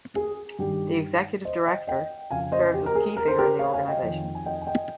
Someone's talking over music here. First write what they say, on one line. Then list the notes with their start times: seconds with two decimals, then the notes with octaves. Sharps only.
The Executive Director serves as a key figure in the organization.
0.16 G#4
0.59 G2 D#3 G4
1.45 C5 D#5
1.66 D#5 G5
1.87 D#5 G5
2.31 F2 C#3 F5 G#5
2.52 C5 D#5
2.74 G4
2.86 A#4
2.95 G#4
3.17 A#4
3.28 C5
3.39 G4 A#4
3.59 C#5 F5
3.73 F5 G#5
3.88 D#5 G5
4.03 F2 D#3
4.35 G#5
4.46 D#5 G5
4.62 G#5
4.66 D#5 G5